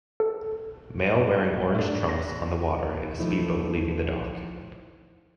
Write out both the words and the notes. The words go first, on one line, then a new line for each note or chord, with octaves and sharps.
Male wearing orange trunks on the water in a speedboat leaving the dock.
A4
A3 D4 E5
A#6
F3 A3 D#4 E4